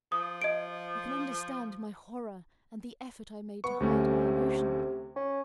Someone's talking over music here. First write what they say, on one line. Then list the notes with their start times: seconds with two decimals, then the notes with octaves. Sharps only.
You can understand my horror and the effort I made to hide my emotion.
0.12 F3 D#6
0.42 D#5 D7
3.64 B3 C#6
3.80 D2 C3 A3 C#4
5.16 C#4